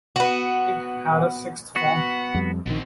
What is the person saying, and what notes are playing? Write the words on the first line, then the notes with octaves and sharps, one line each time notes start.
It had a sixth form.
B3 F#4
B3 F#4 F#5
F2 G3
A#1 B2 D#3 C4